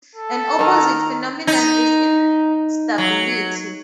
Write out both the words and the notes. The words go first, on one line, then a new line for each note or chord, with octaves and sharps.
An opposite phenomenon is instability.
A4
D#3 D#4 A#4 A#5
D#4
F#3